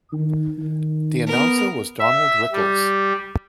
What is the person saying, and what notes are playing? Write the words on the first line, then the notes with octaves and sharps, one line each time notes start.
The announcer was Donald Rickles.
D#3
D#3
B3 A#4
E5
G3